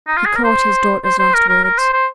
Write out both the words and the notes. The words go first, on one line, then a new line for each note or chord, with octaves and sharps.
He caught his daughter's last words.
D#4
F4
G#4
A#4
C5
C5
C5
A#4
A#4
A#4
C5
C5